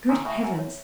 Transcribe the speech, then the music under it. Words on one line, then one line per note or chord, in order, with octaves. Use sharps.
Good heavens!
C3 D#3 G#5
A2 C#3 E5
F#2 G#4
C#5